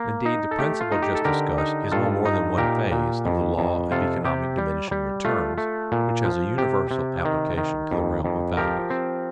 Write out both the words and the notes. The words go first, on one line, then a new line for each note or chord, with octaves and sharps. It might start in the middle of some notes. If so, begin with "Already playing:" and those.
Indeed, the principle just discussed is no more than one phase of the law of economic diminishing returns, which has a universal application to the realm of values.
Already playing: A#3
D#4
A4
A3 G4
F4
D#4
G4
A4
D3 G4 A#4
D#4
G2 F4 A4
D#4
A#2 G4 A#4
A#2
F2
F2
C3 F4 A4
C3 G4
G3
G3
A3 F4
A3
A#2
F3
C3 G4
C3
D#3
D#3
F2
F2
F3 G4 A#4
C4